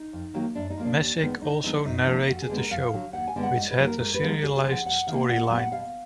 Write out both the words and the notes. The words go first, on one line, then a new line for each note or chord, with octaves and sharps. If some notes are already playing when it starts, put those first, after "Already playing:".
Messick also narrated the show, which had a serialized storyline.
Already playing: D#4
F2
D#3 F#3 A#3
F#2 D4
D#4
F3 A#3
D4
D#2
D#3 G#3 B3
D2 D#4
D3 F3 G#3 B3 D#4
F#2 D#4
D3 F3 A#3
F2 F#4
G#4
D3 G#3 B3
A#4
F2 F5
D3 F#3
D#2 F#5
G#5
D3 G#3 B3
F#5
G#2 D#5
B4
D#3 F#3 A#3
A#4
G#2 A#4
B4
F3 G#3 B3
A#4
D2 G#4
G#4
D3 F3
F#5
F2 F#5
D#3 A#3 F5
A#2 F#5
F#5
F#3 B3
F#5
B2 F5